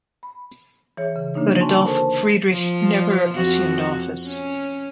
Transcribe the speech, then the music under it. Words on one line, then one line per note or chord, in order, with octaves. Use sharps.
But Adolf Friedrich never assumed office.
B5
E3 G#4 C#5
C#3
D3 A#3 D4 D#4 C#5
F#4 G#5 A5 C6 C#6
A4 A#4 C5 A5
F3
F2 F#4
C#4